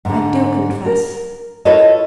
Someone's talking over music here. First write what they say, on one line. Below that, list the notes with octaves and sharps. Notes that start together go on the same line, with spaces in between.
I do confess.
G#2 D3
A#4
E4 F4 A4 B4 C#5 D#5